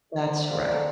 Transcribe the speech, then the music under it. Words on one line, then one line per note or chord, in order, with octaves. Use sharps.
That's right.
A#4
C5
D5
E5
C4 F5
A4